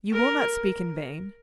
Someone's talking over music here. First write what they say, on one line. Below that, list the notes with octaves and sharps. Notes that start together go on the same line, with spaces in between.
You will not speak in vain.
A#4